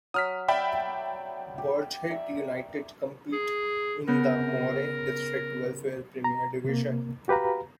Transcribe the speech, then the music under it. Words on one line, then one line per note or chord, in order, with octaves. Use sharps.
Burghead United compete in the Moray District Welfare Premier Division.
F#3 D#6 F6 B6
D5 E5 G5 B5
G4
D5 E5 A#5
G#4
C#3 B3 A#4 G6
A#5
C3 A#3
F#4 G4 B4 F5 A#5